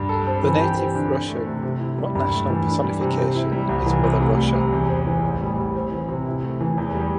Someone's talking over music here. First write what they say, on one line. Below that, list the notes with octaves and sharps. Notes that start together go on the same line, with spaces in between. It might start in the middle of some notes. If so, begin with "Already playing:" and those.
The native Russian national personification is Mother Russia.
Already playing: G2
A4
C4
E3
G4
C4
D3
D4
A3
C3
C3
E4
G3
G2
A3
E3
D4
G3
C3
C5
E4
G3
C2
E3
C3
D2
G3
C3
E2
C4
E3
A1
G3
A2
C4
E3
C3
E4
A3
E3
E2
G3